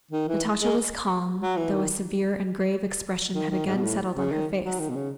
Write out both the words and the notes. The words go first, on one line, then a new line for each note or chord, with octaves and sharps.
Natasha was calm, though a severe and grave expression had again settled on her face.
D#3
E3
G#3
F#3
E3
D#3
D#3
D#3
G#2
B2
A2
C#3
D#3
F#3
D#3
B2
C#3